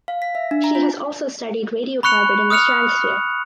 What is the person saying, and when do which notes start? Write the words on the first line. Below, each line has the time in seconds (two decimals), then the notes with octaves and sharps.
She has also studied radiocarbon in the stratosphere.
0.08 F5
0.22 B6
0.35 E5
0.51 D4
0.64 A#5
0.75 F4
2.03 B5 C#6 F#6 C#7 F7
2.50 D#6 F6 F#6 C#7 F7